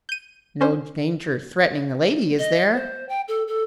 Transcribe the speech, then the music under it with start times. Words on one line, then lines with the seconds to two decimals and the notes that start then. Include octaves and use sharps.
"No danger threatening the lady, is there?"
0.09 G6 D#7
0.61 C#4 C5
2.39 D#5
2.74 C5
3.09 G5
3.28 A4
3.48 A4